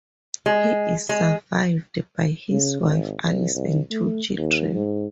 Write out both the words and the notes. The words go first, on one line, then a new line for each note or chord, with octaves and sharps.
He is survived by his wife, Alice and two children.
G#3
G#3
C#3
G#1
C2
C2
A3
D#2
G#2